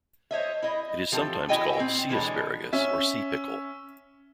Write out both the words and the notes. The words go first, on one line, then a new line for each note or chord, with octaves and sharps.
It is sometimes called sea asparagus or sea pickle.
C5 C#5 D#5 E5
E4 D#5
E3 F3 C4 G4 A4
C#4 E4 F#4 D#5 G5 G#5
A#2 C4
B2 D3 E3 G3 G#3 C#4
C#4 E5